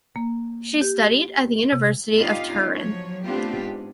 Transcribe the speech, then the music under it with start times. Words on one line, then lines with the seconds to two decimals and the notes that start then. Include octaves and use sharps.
She studied at the University of Turin.
0.16 A#3
0.81 G4
1.73 C3
2.18 D3 B3 D#4 F4 G4 F5
2.74 F3 F#3 C#5
3.25 A3 B3 C4 D4 F4 G4
3.58 G#2